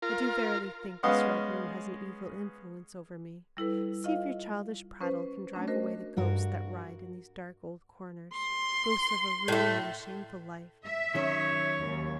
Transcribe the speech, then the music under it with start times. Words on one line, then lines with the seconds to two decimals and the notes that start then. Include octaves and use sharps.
I do verily think this Red Room has an evil influence over me. See if your childish prattle can drive away the ghosts that riot in these dark old corners--ghosts of a ruined and shamed life!
0.02 F4 A#4
1.03 G#3 B3 C#4 D#5 F5 F#5
3.57 G3 E4 A4 B4
4.04 F4 D#5 F5
5.01 C#4 B4 C5
5.54 A3 C#4 D4
5.67 F#4 A#4 C5 D#5
6.17 G2 F#4 A#4
8.33 C6
9.48 A2 A3
10.85 E5
11.15 D#3 F#3 C#4 C#5
11.80 D#2